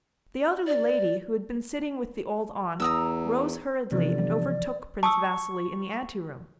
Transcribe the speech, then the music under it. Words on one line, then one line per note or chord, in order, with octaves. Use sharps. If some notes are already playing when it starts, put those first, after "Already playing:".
The elderly lady who had been sitting with the old aunt rose hurriedly and overtook Prince Vasili in the anteroom.
D5
E2 A#5 D#6 E6
G1 C3 E3 F3 D5
A5 C#6 D#6 E6